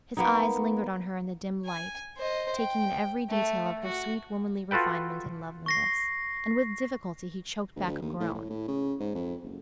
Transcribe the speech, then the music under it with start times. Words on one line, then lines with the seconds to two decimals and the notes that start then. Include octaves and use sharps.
His eyes lingered on her in the dim light, taking in every detail of her sweet womanly refinement and loveliness, and with difficulty he choked back a groan.
0.17 A#3 B3 D#4
1.66 G#5
2.17 C5 D#5
2.56 G5
3.30 A3
3.83 F#4
4.71 F4 F#4 A4 B4 G5
5.66 C#6 A#6 C7
7.76 D2
7.87 D2
8.02 D#2
8.20 A2
8.34 A2
8.50 A2
8.68 C#3
9.00 G#2
9.15 F2
9.43 F#1